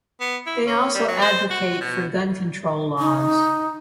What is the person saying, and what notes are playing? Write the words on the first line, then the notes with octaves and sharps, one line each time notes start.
They also advocate for gun control laws.
B3
E4
C#4
G3
F#3
C5
F#4
B2
D#4